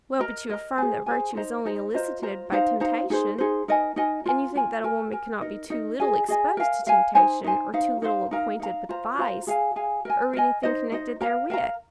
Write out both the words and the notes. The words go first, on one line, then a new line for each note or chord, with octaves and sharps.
'Well, but you affirm that virtue is only elicited by temptation;--and you think that a woman cannot be too little exposed to temptation, or too little acquainted with vice, or anything connected therewith.
A#4 D#5 A#5
A#4 D#5 A#5
G#4 C5 G#5
G#4 C5 G#5
D#4 C5 D#5 A#5
D#4 C5 D#5 A#5
F4 C5 D#5 A#5
F4 C5 D#5 A#5
D#4 C5 F5 A#5
D#4 C5 F5 A#5
D#4 G#4 C5
D#4 G#4 C5
D#4 A#4 D#5 G#5
D#4 A#4 D#5 G#5
F4 A#4 G#5
F4 A#4 G#5
A#4 G#5
A#4 G#5
D#4 A#4 D#5
D#4 A#4 D#5
G#4 D#5 G#5
G#4 D#5 G#5
A#4 F5 G#5
A#4 F5 G#5
D#4 C5 G#5
D#4 C5 G#5
D#4 C5 F5
D#4 C5 F5
D#4 A#4 F5 A#5
D#4 A#4 F5 A#5
F4 C5 F5 A#5
F4 C5 F5 A#5
G#4 F5 G#5
G#4 F5 G#5
A#4 D#5 G#5
A#4 D#5 G#5
D#4 C5 D#5
D#4 C5 D#5
A#4 F5 A#5
A#4 F5 A#5